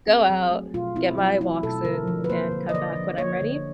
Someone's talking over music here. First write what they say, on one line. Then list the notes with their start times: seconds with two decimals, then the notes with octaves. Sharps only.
go out, get my walks in, and come back when I'm ready.
0.07 C4 G#4
0.30 F#3
0.51 A3
0.74 B2 F4
0.96 C4 E4
1.18 F#3
1.41 A3 E4
1.63 B2 A4
1.85 D3 A#4
2.08 F3
2.24 B4
2.30 A#3 C5
2.52 D3
2.69 D#5
2.74 D3 D5
2.96 F3
3.18 A#3 C#5
3.41 D3